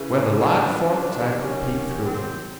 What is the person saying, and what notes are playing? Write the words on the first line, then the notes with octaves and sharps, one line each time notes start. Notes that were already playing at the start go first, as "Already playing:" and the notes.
Where the log forked I could peep through.
Already playing: C#3 E3
D4
D4
D4
C3 D#3 F#3
C#4
C4